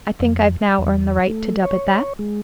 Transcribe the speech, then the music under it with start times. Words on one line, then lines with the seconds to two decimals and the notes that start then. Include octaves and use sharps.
I think I've now earned the right to dub it that.
0.20 F2
0.78 E2
1.27 A3
1.63 C#5
2.19 G#3